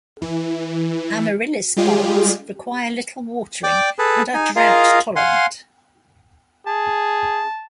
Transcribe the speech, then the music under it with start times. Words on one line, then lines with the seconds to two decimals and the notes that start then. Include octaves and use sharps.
Amaryllis bulbs require little watering and are drought tolerant.
0.22 E3
1.77 G3 G#3 F4 G4 G#4
3.64 D5 G5 D6
3.99 G#4 A4 B4
4.34 D#4 G#5
4.56 F4 G#4 A#4 D#5 F5
5.16 F5 F#5 G#5 C6
6.67 G#4 A5